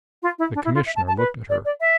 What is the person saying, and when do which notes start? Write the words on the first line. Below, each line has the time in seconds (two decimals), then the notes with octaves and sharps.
The Commissioner looked at her.
0.22 F4
0.38 E4
0.55 D4
0.64 E4
0.75 F4
0.86 E5
0.96 A5
1.07 A5
1.17 B4
1.49 D5
1.65 D5
1.80 E5